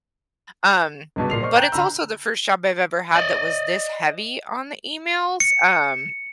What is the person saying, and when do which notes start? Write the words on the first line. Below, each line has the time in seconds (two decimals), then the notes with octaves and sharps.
um, but it's also the first job I've ever had that was this heavy on the emails, um
1.16 C#2 G2 B2
1.30 A#2 C7 F7
1.42 C5 D5 D#5 C#6 F6
1.55 G5 A#5 F#6 G6
1.72 D3 A#5 B5 E6
3.15 D5 D#5
5.40 C#7